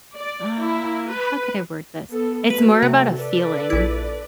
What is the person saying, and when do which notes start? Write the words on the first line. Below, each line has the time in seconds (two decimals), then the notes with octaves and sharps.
uh, how could I word this? It's more about a feeling,
0.15 D5
0.59 E4
1.12 B4
2.10 B3 A4
2.50 F#3 A3 B4
2.82 C3
3.17 A4 B4 D5
3.70 A#1 E4